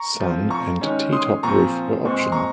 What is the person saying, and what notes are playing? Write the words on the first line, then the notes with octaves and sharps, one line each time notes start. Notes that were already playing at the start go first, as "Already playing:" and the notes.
Sun and T Top roof were optional.
Already playing: A#5 C#6
F3 C4
A#5 C#6
D#3 G#3 C#4
C6 D#6
A#2 F3 C4 A#5 C#6
A#2 G#3 C4 C#6
C6
A#5 C#6